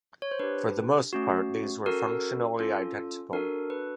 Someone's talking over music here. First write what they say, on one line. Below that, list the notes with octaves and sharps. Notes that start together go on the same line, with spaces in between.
For the most part these were functionally identical.
C#5
C5
D4 G4 B4
A3 C#4 F#4
C#4 F#4 A4 A#4
C#4 F4 A4
D4 F#4 A4 A#4
B4